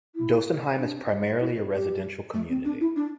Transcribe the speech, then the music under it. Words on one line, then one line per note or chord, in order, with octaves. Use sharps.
Dossenheim is primarily a residential community.
E4
D4
E4
A4
G4
A3
C4
D4
E4
D4